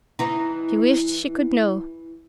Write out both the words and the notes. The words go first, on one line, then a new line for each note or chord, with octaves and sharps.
She wished she could know.
E3 D#4